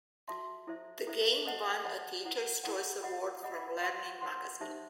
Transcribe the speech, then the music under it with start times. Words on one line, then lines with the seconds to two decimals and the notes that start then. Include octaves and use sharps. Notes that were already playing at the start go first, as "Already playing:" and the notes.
The game won a Teacher's Choice Award from Learning Magazine.
0.28 F#4 A4 E5 A5 C6
0.67 E4 A4 C5 E5
1.07 E4 A4 C5 E5
1.45 A4 C5 D#5 F#5 A5
1.85 A4 C5 D#5 F#5 A5
2.25 E4 A4 C5 F#5
2.64 E4 A4 C5 F#5
3.03 A4 D#5 F#5 B5
3.43 A4 D#5 F#5 B5
3.82 C5 F#5 C6
4.21 C5 F#5 C6
4.60 D#4 G4 C5 E5 A5